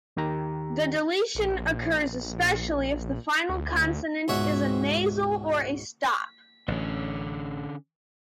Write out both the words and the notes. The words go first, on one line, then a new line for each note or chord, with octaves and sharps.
The deletion occurs especially if the final consonant is a nasal or a stop.
D#2 D#3 G4 A#5
A#1
D2
C#2 G#2 B2 C#5 E5 F#5
A1 D3 C#4